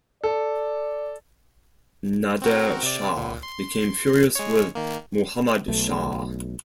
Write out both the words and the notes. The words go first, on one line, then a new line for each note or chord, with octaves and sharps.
Nader Shah became furious with Muhammad Shah.
A4 D5
C4 F#4 A#4
C3 D5
A#2
C6
G#3 C#5
D#3 A#3
B1 A3